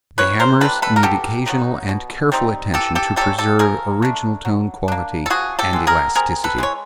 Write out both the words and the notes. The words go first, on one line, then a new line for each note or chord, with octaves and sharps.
The hammers need occasional and careful attention to preserve original tone quality and elasticity.
E3 B4 C#5
A#4 C5
G3 A#3 D4 A4 B4
A4 B4
A#4
B2 G4 A4
F#3 B3 D#4
B2
G3 C4 D#4
E3 G4 A4
G4 A4
G3 A#3 C#4 G4 A4
G4 A4
F3 G#4 A#4
A3 D4
F#3
A#3 D4
A4
F3 F#4 G#4
G4 A4
G#3 B3
G#4 A#4
C3 G#4 A#4
A4 B4
E3 G#3 C#5